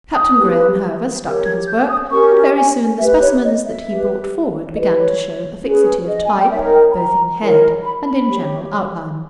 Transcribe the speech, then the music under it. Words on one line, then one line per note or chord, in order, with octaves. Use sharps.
Captain Graham, however, stuck to his work, and very soon the specimens that he brought forward began to show a fixity of type both in head and in general outline.
D#6
E4 G4 B4
G4 A#4 C#5
G#6
G6
D#6
C#4 G4 A#4 C#6
G#5
G4 B4 E5
C#5
D#5
E5
G4 B4
E4 G4 B4 D#5
C#5
C#4 G#4 B4
D#5
G#5
G5
D#4 A#4 C#5 E5
G5
B5
A#5
E4 A#4 C#5
B5
B5
G4 C#5